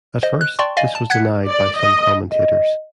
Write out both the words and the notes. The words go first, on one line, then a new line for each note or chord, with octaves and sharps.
At first, this was denied by some commentators.
C5 D#5
F#6
D5 G5 A5 C6 C#6
D5 D#5 F5 G#5
A5
F#5 F#6 G#6 B6 C#7
D5
D#5
D#5